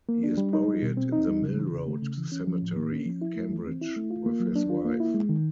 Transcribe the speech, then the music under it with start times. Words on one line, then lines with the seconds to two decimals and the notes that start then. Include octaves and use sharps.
He is buried in the Mill Road Cemetery, Cambridge, with his wife.
0.09 A#3
0.23 D4
0.38 G3
0.53 D#4
0.68 G3
0.83 B2
0.97 C4
1.12 D#4
1.27 G3
1.42 C#3
1.57 E3
1.73 C#3
1.88 A3
2.02 C#3
2.17 E3
2.32 C#4
2.47 F3
2.62 A2
2.76 A#3
2.92 C#4
3.06 F3
3.22 E4
3.36 A3
3.51 E3
3.67 C4
3.81 E4
3.96 A3
4.11 F4
4.26 A#3
4.40 F#3
4.56 D4
4.70 F4
4.85 A#3
5.00 E4
5.14 G#3
5.29 D#3